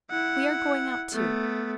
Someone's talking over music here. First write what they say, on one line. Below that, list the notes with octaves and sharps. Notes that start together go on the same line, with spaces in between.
We are going out, too.
E4 F#5
A3 B3